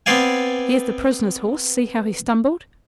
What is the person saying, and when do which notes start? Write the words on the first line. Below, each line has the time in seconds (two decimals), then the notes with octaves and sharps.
Here's the prisoner's horse, see how he stumbled?
0.06 B3 C4 B4 D5 F5 G#5